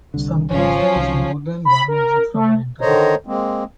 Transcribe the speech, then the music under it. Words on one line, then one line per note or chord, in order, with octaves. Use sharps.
Sometimes there is more than one exit from an intersection.
C2 D3
G#1 C#3 F3 C#4
C2 D#3 F#3
B5
A#4
A3
D3 D#3 C5 C#5 D#5 A#5
G#3 A#3 C4